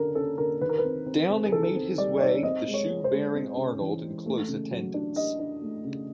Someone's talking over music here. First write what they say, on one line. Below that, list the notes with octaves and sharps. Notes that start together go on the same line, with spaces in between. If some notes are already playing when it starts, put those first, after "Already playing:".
Downing made his way, the shoe-bearing Arnold in close attendance.
Already playing: D3 A#3 C#4 A4 A#4
C#4 A4
D3 A#4
D#3 B4
A#4
B4
C4
C4
C4
G#4
D#3 A4
C4
G3 D5
C#5
D#4 D5
C4 D#5
G#3
C#5
G#3
C5
G#3
C4
C#3
E3
G#3
A3
C#3
F#3
D4
D4 D#5
D4
A3
C#3